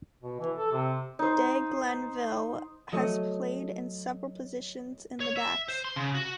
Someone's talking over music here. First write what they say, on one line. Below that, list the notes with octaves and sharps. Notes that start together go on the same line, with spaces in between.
De Glanville has played in several positions in the backs.
B2
E3
A4
C3
D#4 C5
F#3 A3 D#5
C#5
E5
C5
C6
C#3
F#4